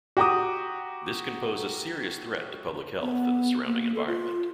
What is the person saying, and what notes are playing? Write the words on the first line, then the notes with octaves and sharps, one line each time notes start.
This can pose a serious threat to public health and the surrounding environment.
F#4 G4 G5 A#5 D6 D#6
B3
A#3
A4
F4